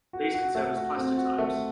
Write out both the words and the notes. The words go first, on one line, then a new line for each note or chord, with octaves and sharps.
These can serve as plastotypes.
F#4
F#4
A3
F#4
C4
F#4
A3